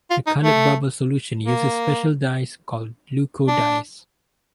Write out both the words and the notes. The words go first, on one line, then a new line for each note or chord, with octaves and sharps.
The colored bubble solution uses special dyes called leuco dyes.
F4
D#4
A3
A#3
D4